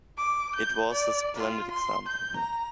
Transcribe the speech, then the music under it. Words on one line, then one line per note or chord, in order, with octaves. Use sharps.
It was a splendid example.
D6
G6
D5
F4
C6
G6
A#5